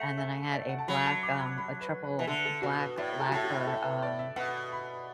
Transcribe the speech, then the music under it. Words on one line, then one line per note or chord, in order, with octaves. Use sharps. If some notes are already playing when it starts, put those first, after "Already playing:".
and then I had a black, um a triple black lacquer, um,
Already playing: A3 F#5
E5
D5
E5
F#5
A5
F#3 B5
A5
D6
B5
B5
B4
B4
E3
D3 A4
A4
B2 F#4
B4
A2 D5
A4
F#4
A2 A4
F#4
A4
B4
D5
E5
B2 F#5
B5